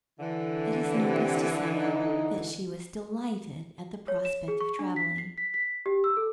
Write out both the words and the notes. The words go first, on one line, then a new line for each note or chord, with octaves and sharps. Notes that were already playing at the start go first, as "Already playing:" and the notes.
It is needless to say that she was delighted at the prospect of traveling.
D3 E3
C3
D#4
C#5
E7
G#4
C#6
D4
B6
C7
B6
B6
G4
E6
A4